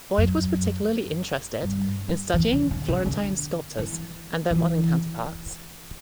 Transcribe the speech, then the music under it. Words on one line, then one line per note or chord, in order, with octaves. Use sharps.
Boyd was particularly interested in studying Florentine sculptors and their modern counterparts.
F#2
G2
E3
C#3
D3
C#3
D3
E3
E3